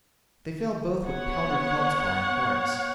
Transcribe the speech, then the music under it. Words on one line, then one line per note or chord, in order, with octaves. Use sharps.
They failed both with powdered felspar and quartz.
B3 C#5 F#5